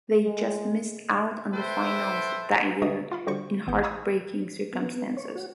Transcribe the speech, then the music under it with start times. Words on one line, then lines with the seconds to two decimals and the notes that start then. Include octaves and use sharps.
They just missed out on the finals that year in heartbreaking circumstances.
0.25 G#3
1.53 A4 B4 C5 E5 G5
2.82 D3 G#3 D4 F#4 E5 D#6
3.12 F4 F5 B5
3.27 D3 G3 F#4 C5 C#6 C#7
3.67 A1 B3 G6
3.83 F5 A#5 B5 C#6 D#6 E6
4.73 B3
5.17 C#5
5.35 F#4